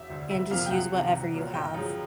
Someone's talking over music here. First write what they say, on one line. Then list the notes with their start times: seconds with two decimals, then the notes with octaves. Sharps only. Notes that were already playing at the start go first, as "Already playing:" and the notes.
and just use whatever you have.
Already playing: E1 E5
0.10 D2 D3
0.31 F#1 E5
0.51 F2 C3 F3 A#3 F5
0.66 G5
0.71 C#2 F#5
0.92 C3 D#3
1.13 C2
1.33 A#2 F#3 A#3
1.54 G1 G5
1.74 F#2 C#3 F3 G#3